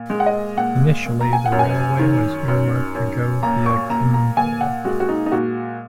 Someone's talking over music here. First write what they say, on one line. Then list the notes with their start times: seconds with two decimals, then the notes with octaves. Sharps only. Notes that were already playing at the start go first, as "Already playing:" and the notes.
Initially the railway was earmarked to go via Kendal.
Already playing: A#2
0.10 G#3
0.20 F#5
0.26 D#5
0.57 A#2 F#5
1.06 A#2
1.21 A#5
1.33 G#5
1.46 F#5
1.52 F#2
1.59 G#5
1.99 D#3
2.48 F#2
2.95 F#2
3.43 A#2 A#5
3.66 C#6
3.90 A#2 A#5
4.14 A#5
4.37 A#2 G#5
4.61 F#5
4.85 G#3 F#4
5.00 F#4
5.09 D#4
5.26 D#4
5.32 A#2 F#4